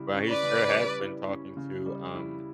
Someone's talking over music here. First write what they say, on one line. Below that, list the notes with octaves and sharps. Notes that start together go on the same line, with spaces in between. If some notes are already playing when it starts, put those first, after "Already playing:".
Well, he sure has been talking to, um
Already playing: C#3 G3 E4
C#4
B4 D5
C#3
G3
E4
C#4
C#3
G3
E4